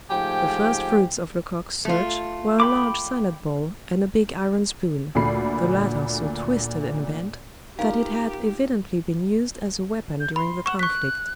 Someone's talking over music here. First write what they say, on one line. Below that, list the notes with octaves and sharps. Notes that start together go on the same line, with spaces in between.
The first fruits of Lecoq's search were a large salad-bowl and a big iron spoon, the latter so twisted and bent that it had evidently been used as a weapon during the conflict.
G#2 F3 A3 G4 G5 G#5
A3 F4
G5 B5 D6
D2 A#2 A3 B5 C7
D#4 F4 G4 A#4 F5
G6
B5 C6
F#5 C#6 E7
C#6 F#6 B6